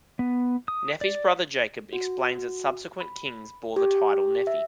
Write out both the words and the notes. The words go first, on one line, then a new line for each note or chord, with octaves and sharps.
Nephi's brother Jacob explains that subsequent kings bore the title Nephi.
B3
D#6
D5
F#4
B5
G4
E5